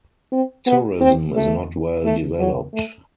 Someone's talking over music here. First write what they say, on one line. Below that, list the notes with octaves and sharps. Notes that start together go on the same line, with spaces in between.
Tourism is not well developed.
C4
B3
C4
A3
A3
F#3
A3